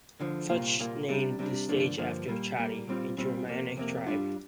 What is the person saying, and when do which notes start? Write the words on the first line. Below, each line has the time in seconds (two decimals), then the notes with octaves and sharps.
Fuchs named the stage after the Chatti, a Germanic tribe.
0.20 D2 D3 F3
0.49 C2 A#2 A#3 F4
0.79 C2 A#2 A#3 F4
1.09 C3 G3 D4
1.39 C3 G3 D4
1.69 G2 D3 F3 A#3 D4
1.98 G2 D3 F3 A#3 D4
2.28 A#2 G3 A#3
2.58 A#2 G3 A#3
2.87 A#2 G3 C4 F4
3.17 A#2 G3 C4 F4
3.47 F2 C3 A#3
3.77 F2 C3 A#3
4.06 G2 G3 D4 F4